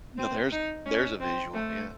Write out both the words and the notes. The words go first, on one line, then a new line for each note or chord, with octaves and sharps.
Now there's there's a visual, yeah.
C4
D#4
C#4
C4
A3